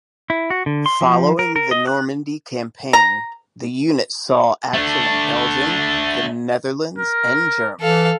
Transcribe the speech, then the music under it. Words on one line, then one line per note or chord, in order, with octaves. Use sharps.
Following the Normandy campaign the unit saw action in Belgium, the Netherlands and Germany.
E4
F#4
D3
C6
F3
A#4
A#4
D#5
F#6
A#5
A3 D4
A#4
E3 A4 F5